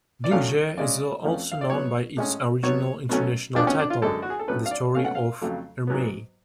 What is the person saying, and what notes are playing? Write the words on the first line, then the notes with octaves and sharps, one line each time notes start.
"Jingzhe" is also known by its original international title, The Story of Ermei.
D5
A2 F#3 A3 C#4 F5
C#3 G#3 C#4 D5
F2 F3 A3 C#4
F5
D5
B2 F#3 B3 C#5
A2 G#3 C#4
B2 F#3 B3 C#5
B2 F#3 A3 C#4
F2 F3 G#3 B3 D4
C#4
D4
F4
F#2 D3 G#3 A4
F#4
G#4
A4
A2 F#3 C#4 B4
F5
D5
B2 A3 C#4 F5
F#5
F5
F2 C#3 F#3 A3
G#2 F#3 B3